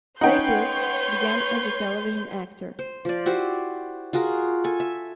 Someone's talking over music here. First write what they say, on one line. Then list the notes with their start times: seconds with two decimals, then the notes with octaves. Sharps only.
Ray Brooks began as a television actor.
0.21 C#4 D#4 B4 C#5 F#5 G5 C6 G6
2.79 C5
3.05 F3 D5
3.26 E4 F#4 G4 C5
4.13 F4 F#4 G#4 A#4
4.64 A4 G#5
4.80 E5